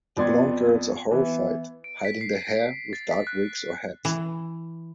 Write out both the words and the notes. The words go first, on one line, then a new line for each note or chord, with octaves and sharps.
The blonde girls are horrified; hiding their hair with dark wigs or hats.
F2 B3 D5 C6 G#6
E3 B3
D7
B6
C7
A6
B6
F#6
E3